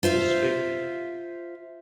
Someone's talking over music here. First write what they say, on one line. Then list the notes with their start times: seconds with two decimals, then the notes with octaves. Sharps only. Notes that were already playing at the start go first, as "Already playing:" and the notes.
It's be
0.03 F4 C5 E5 F5